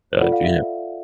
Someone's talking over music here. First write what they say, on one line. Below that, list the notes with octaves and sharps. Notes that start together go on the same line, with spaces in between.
Uh, do you have
F4 A4 D5 F#5
F5
E5